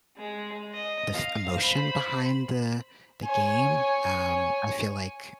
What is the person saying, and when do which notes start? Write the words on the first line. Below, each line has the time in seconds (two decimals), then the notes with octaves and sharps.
the f emotion behind the the game. Um, I feel like,
0.17 G#3
0.73 D#5
1.14 F5
1.56 C5 B5
3.24 C#5 G#5